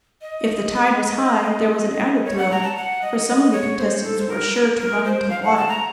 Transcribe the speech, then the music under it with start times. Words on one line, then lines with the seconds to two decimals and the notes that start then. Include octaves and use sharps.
If the tide was high there was an added thrill, for some of the contestants were sure to run into the water.
0.22 D#5
2.25 C#5
2.38 F#5
2.51 A#5
2.63 A5
2.76 F#5
3.02 D#5
3.26 D#5
3.53 C#5
3.78 C5
4.03 A4
4.20 C5
4.28 A#4
4.54 A#4
4.79 A#4
5.05 C5
5.30 F5
5.43 F#5
5.56 A5
5.68 A#5